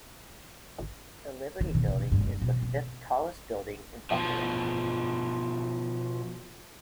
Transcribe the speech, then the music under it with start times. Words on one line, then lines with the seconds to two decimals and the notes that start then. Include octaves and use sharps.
The Liberty Building is the fifth tallest building in Buffalo.
1.61 D#3
1.75 B2
1.88 C3
2.00 C3
2.12 G2
2.25 D4
2.42 B2
2.63 C4
4.11 B2 F3